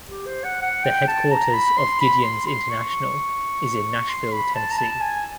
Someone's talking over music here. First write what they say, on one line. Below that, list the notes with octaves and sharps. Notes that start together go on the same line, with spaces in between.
The headquarters of Gideons International is in Nashville, Tennessee.
G4
C5
F#5
F#5
G5
A5
A#5
B5
C6
B5
C6
C6
C#6
C6
B5
A5
A#5
A5
G#5